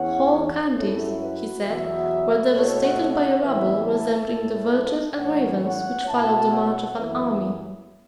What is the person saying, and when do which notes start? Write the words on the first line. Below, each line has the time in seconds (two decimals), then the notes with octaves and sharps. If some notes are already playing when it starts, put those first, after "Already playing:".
Whole counties, he said, were devastated by a rabble resembling the vultures and ravens which follow the march of an army.
Already playing: E2 E3 C#4 C#5 F#5
0.75 F#2 F#3 C#4 E4 A4 C#5
1.19 F#4 B4
1.63 E2 B2 F#3 B3 B4 E5
2.52 B2 A3 E4 A4 C#5
2.83 C#5 F#5
3.11 C#5 F#5
3.41 A2 E3 B3 E4 B4 E5
3.86 E5 A5
4.30 A2 A3 E4
5.19 A2 E3 C#4 C#5 F#5
5.63 C#5 F#5
6.08 B2 B3 E4 E5 A5
6.52 C#5 F#5
6.96 F#2 E3 B3 E4 B4 E5